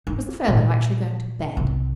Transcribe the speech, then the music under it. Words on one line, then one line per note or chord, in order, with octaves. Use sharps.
Was the fellow actually going to bed?
D#4
A#2
C2